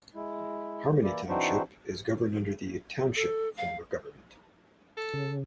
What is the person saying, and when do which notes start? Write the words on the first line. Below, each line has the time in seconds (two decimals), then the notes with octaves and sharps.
Harmony Township is governed under the Township form of government.
0.15 G#3 E4
1.03 E3 A#3 E4 D5
1.29 E3 C4 D4 D#4 F#4 C5
3.16 A4
3.58 F5
4.97 A4
5.14 C#3